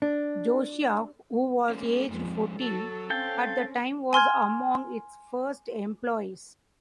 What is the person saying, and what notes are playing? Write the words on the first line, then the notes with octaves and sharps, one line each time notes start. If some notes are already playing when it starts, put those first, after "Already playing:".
Josiah, who was aged fourteen at the time was among its first employees.
D4
G#3 A#3 C#4
F2 G#2 F3 G#3
F#3 A4
C4 C#4 A4 F5 G5
G#5 C6 F6 G#6